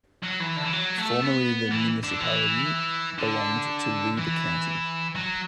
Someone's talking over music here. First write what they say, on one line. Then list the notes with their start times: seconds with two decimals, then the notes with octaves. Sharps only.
Formerly the municipality belonged to Ribe County.
0.23 F#3
0.40 E3
0.57 D3
0.65 E3
0.73 F#3
0.97 A3
1.22 B3
1.71 E3
2.04 D3
2.20 E3
3.19 D3
4.18 E3
5.15 F#3